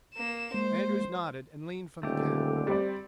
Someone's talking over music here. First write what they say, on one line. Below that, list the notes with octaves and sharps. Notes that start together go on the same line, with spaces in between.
Andrews nodded and leaned from the cab.
A#3 E7
G#3 A#3 C5
D#1 D3 A3 G4
G3 C4 D5